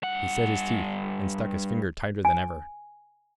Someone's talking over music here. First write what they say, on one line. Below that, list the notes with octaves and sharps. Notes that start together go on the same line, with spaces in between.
He set his teeth, and stuck his finger tighter than ever.
G2 F#5
G#5